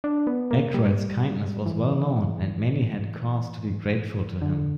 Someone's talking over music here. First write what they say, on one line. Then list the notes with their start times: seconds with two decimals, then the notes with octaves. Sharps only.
Akroyd's kindness was well known, and many had cause to be grateful to him.
0.04 D4
0.27 B3
0.51 A#3
0.74 G3
1.66 E3
4.42 D3